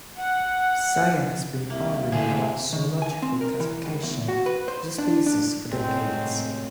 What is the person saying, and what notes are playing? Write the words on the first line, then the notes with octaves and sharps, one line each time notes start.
Science has been arguing about the zoological classification of the species for decades.
F#5
C2 A#3 E5
D2 A2 G#4
D#3
G#5
C4
A#4
E3
C#2
E2
F#4
B4
C5
D4
D4
A2 C3 F#3 G#3 A3 C4 C#5